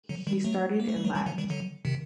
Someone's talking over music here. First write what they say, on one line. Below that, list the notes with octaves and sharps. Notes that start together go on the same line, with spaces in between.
He started, and laughed.
D3 F#3
D#3 G3
F#3 A3
A#3
A3
G3
F#3 A3
D#3 G3
D3 F#3
D#3 G3
D3 F#3
C3 D#3